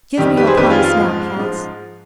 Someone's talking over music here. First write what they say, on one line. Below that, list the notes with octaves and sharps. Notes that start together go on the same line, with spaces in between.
Give me your promise now, Cass.
F2 D#3 G3 G4
G4 B4
G#4 C5
F2 D#3 G3 G4 B4
F4 G#4
F4
G#2 F3 G#3
G#2 F3 G#3